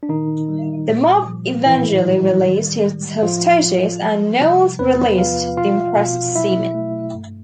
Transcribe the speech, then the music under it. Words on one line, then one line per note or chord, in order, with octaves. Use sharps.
The mob eventually released its hostages and Knowles released the impressed seamen.
D4
A#2 D#3 D#4
G3
A#2
F3
A2 E3 E4
G3
D#3
G#3
A2 F3 F4
F3
G3
C3
E2 B3 B4
F3 F4 F5
B2 F4 F5
B2
F#3 E4 E5
A3
G2